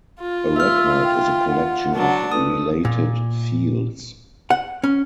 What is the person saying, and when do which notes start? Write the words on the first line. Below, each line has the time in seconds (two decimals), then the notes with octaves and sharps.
A record is a collection of related fields.
0.20 F4
0.56 E5 E6 F6
1.03 G5
1.49 F#5
1.95 F#3 D4
2.32 A3 B4 D#6
2.85 A#2
4.50 F#5
4.84 C#4